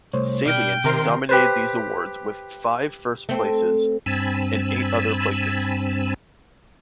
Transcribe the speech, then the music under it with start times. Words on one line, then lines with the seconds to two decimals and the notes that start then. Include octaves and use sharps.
"Salient" dominated these awards with five first places and eight other placings.
0.14 C2 A3 C5 C#5
0.46 B2 G4 D5 G5 F6
0.84 C3 D#3 A#4 C6
1.29 G4 B4 C5
3.29 A3 C4
4.06 G2 C4 G#5 A5 B5 E6